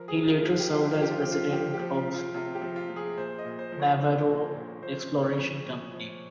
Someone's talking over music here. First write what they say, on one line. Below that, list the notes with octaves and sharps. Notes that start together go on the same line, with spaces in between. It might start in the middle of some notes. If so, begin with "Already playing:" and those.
He later served as President of Navarro Exploration Company.
Already playing: F3 A#4
G#4
C3
F4
F3
F4
G4
F3 F4
G4
F4
F3 G4
F4
F3 G4
F4
F3 G4
G4
F3
F4
F3
F4
C3 F4
G4
F3
F4
F3
G#4
A#2 C5
D#5
A#2
C5
F3
C#5
F3 C5
A#2
C5
A#2
F3 C5
A#2
C5
C#5
F3
A#2
F3